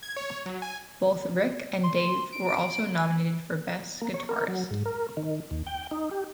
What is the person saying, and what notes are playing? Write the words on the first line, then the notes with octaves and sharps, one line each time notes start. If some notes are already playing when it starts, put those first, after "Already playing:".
Both Rik and Dave were also nominated for "Best Guitarist".
G#6
C#5
F#3
G#5
C6
D7
G#5
A#3
C#5
A#4
F#3
G#2
A#4
D#3
D#2
G5
D#4
G4